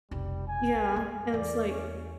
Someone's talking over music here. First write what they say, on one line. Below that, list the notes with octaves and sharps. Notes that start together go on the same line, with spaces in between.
Yeah, and it's, like
F1 B1 G3
G#5
F#2
E2 D5
C#4